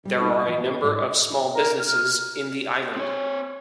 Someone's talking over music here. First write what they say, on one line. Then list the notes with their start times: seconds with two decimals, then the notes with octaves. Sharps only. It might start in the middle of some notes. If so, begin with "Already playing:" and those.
There are a number of small businesses in the island.
0.05 C#3 G3
0.18 A#3 C4 D#4 F4 A4
0.32 F#4 E5
0.46 E3 F3 F4
0.61 B3 G4
0.79 F2 G#2
1.52 A#4
1.78 F6
2.96 C4 C#5